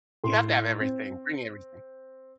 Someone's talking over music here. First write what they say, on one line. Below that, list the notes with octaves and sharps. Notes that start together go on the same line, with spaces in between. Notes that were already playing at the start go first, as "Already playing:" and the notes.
You have to have everything, bring everything.
A2 C6
C4